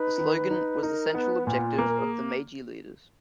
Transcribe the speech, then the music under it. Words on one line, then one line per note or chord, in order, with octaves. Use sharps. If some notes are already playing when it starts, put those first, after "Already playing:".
The slogan was the central objective of the Meiji leaders.
Already playing: D#4 B4
D#3
D#4
D#4 A#4
B3 B4
A#2 F4
A#3 B4
A#4
G#4